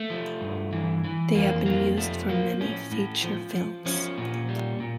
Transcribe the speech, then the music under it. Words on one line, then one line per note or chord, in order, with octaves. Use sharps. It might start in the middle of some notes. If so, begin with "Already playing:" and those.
They have been used for many feature films.
Already playing: A3
F3
G2
E3
E3
F2 A#3
F2 A#3
F3 A3
F3 A#3
A2 C#4
A2
F3
F3
F3 C#4
A#2
G3
A#2